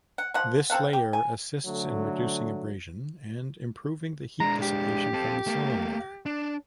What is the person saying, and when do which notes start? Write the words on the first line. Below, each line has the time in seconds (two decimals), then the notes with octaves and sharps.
This layer assists in reducing abrasion and improving the heat dissipation from the cylinder.
0.18 F#5
0.34 F3 F#5
0.70 C4 A4 F5 F#5
0.93 G4
1.13 G#5
1.66 D3 F#3 A3
4.40 G#3 D4 A#5
4.62 G4
5.13 C4 A4
5.47 A3 A#3
6.26 D4